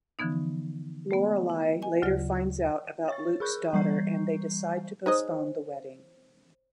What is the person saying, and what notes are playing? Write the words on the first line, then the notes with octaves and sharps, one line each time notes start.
Lorelai later finds out about Luke's daughter and they decide to postpone the wedding.
D3 E3 F3 B3 D#4
A3 B3
E4
D#5 G#5
D2 C#3 F#3 F4 D5
C#5 C#6 A6
G#4 A#4 B5 C#6 F#6 G6
E3 G3 A#5 C#6 G6 C7
D#4 G#4 C5 C#5 D#5